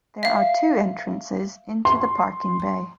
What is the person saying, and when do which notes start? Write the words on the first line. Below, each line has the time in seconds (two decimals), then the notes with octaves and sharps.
There are two entrances into the parking bay.
0.23 E5 F5
1.85 C6